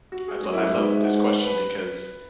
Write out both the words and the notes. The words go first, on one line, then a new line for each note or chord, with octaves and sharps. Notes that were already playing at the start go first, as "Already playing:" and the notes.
I lo I love this question because
F#4
G#4
F#2 F#4
E4
F#4
G#2 B4
E5
F#5
F#5
B4
B4